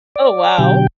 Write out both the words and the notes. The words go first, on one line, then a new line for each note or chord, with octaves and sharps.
Oh, wow.
D5
B2 D3 F#3 G4 G5